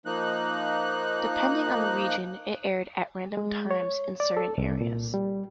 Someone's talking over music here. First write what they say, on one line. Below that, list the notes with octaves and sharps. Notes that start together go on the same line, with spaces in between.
Depending on the region, it aired at random times in certain areas.
F3 A#3 D#4 F#6
G#3
C#5
D5
A4
C2
A#2
G3